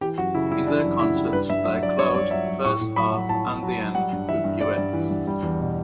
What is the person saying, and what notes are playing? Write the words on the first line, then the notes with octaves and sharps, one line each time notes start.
In their concerts they closed the first half and the end, with duets.
E3 G4
F#2 F#4
C#3 E4
G3 E4
E3 D4
F#2
C#3 E4
G3
G2 B4
G2 E5
F#3 E5
F#3 D5
G2 C#5
G2 D5
F#3 E5
F#3
A2 C#6
A2
F#3 B5
F#3
A2 A5
A2
F#3
F#3
G3 F#5
G2
E3 E5
G2
G3 D5
G2
E3
G2
G3
E2
B2